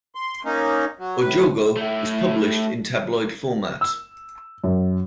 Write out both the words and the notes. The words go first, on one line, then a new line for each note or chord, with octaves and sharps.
"O Jogo" is published in tabloid format.
C6
A#3 C#4 D#4
F#3
A2 B4
A3 E4
E6
F#2